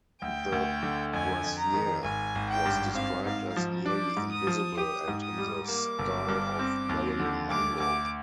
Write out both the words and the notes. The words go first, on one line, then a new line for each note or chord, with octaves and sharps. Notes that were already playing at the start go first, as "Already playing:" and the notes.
The brassiere was described as "nearly invisible" and in the style of Marilyn Monroe.
D2 G5
D2
D3
F2 G#5
F2
A#5
D#3
G#1 G#5
G#1
G5
G2
C4 F5
G#2 F5
F3
D4 D6
G#2
D#6
F3
G4 D#6
G#2
D#6
G3
A#3 D6
G1
G2
C4
D#2
D3
D2 D6
D2 D6